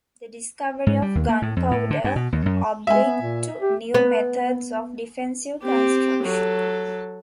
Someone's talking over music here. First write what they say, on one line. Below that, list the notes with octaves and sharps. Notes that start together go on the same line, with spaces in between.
The discovery of gunpowder obliged to new methods of defensive construction.
G#2
G3
D#2
A#3
A2
F2
A2
D3
G2
B2
D#2
F#2
G#3 E5 G#5
B3
A#2
G4
B3
C4 G4
F#3 A4